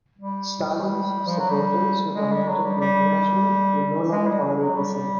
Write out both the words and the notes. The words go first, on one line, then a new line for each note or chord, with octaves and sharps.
Stalin's supporters, who dominated the International, would no longer tolerate dissent.
G3
F3
F#3
G3
G#3
G3
F#3
G3
G3
G#3
G3
F#3
G3